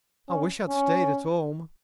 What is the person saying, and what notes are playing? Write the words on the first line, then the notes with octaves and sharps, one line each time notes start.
"I wish I had stayed at home!"
C#4
C#4